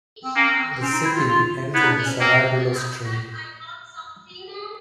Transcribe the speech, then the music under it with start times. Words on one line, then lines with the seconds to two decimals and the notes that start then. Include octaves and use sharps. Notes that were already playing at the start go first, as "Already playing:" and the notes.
The city ends in the Saladillo Stream.
0.24 C4
0.36 A#3 C#4
0.59 C4
0.82 C4 C#4
0.93 D#4
1.05 E4
1.16 F4
1.28 F4
1.74 B3 E4
1.83 D#4
1.89 D4
2.05 C#4
2.20 A#3 C4